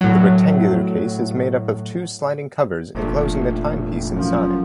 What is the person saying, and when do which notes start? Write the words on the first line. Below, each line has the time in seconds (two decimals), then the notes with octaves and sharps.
The rectangular case is made up of two sliding covers enclosing the timepiece inside.
0.01 A2 F#3
2.95 F1 A#2 A3 D4
4.16 F#2 F3